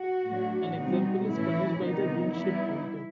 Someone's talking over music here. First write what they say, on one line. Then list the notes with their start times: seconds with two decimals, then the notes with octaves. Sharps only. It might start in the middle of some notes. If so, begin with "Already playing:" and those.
An example is furnished by the ring-shaped region.
Already playing: F#4
0.25 A2 F#3 A3 D4
0.76 B2 G3 C4 D#4 F#4
1.28 A2 E3 A3 C#4 E4
1.79 C3 D#3 G3 B3 D#4
2.31 E3 G3 B3 D#4 E4